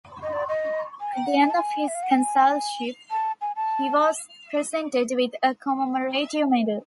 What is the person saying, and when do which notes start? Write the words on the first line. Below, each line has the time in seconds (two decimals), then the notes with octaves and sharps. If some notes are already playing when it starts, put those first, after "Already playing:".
At the end of his consulship, he was presented with a commemorative medal.
0.23 D#5
0.33 D5
0.49 D#5
1.01 G#5
1.13 G5
1.26 F#5
1.40 G#5
1.50 A5
1.56 G#5
1.88 E5
1.95 F5
2.03 F#5
2.11 G5
2.18 G#5
3.11 A5
3.41 G#5
3.56 A5